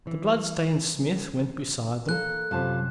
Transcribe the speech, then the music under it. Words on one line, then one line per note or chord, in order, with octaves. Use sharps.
The bloodstained smith went beside them.
E3
A#3 A4 F#6
F#2 C3 F3 G3 A5